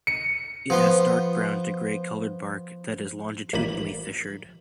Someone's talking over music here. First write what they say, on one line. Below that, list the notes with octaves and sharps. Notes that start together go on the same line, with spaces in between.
It has dark brown to grey coloured bark that is longitudinally fissured.
C#7
F3 B3 C6
A1 A#3 B5